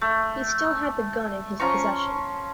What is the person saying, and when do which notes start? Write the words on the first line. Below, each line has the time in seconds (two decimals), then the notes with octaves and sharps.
He still had the gun in his possession.
0.01 A3
1.60 F3 C#4 A#5 C#6